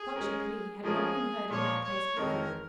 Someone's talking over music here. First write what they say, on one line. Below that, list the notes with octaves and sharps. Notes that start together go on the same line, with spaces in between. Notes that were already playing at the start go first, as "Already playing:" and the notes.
Such a plea had not been heard in that place before.
Already playing: G#4
G#3 C#4 A#4
F3 G#3 C#4 F4 G#4 A#4
A#2 F3 A#3 C#5
C#5
F2 D#3 G#3 D#4 A#4 C#5